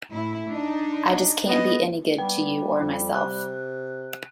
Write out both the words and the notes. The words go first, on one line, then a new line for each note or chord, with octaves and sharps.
I just can't be any good to you or myself.
A2 E4
D4 D#4
B3 D#5
G3 B3 G5
F2
C3 F#6